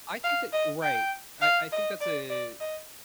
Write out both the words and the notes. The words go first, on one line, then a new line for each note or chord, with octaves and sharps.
I think that right, I I think that's a it
F5
D#5
G5
F5
D#5
D5
D5
D#5